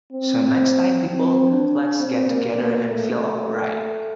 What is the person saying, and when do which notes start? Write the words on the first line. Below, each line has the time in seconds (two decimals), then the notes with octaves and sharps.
So next time, people, let's get together and feel all right.
0.12 C4
1.05 C4
1.51 D4
1.99 C4
2.29 A#3
2.61 A#3
2.91 A3